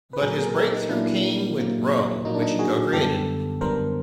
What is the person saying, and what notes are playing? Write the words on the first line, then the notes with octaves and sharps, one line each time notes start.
But his breakthrough came with "Rome", which he co-created.
B4
A#2 F#3 A#3 G#4 A#4
G#4 A#4
A#4
G4 A4
D#4
A#2 F#3 A#3 D4 E4
A#2 F#3 A#3
A#2 F#3 A#3 D#4
D4
D#4
F#4 G#4
F#2 D3 G3 B3 G4 A4
F#2 D3 G3 B3 A#4 C5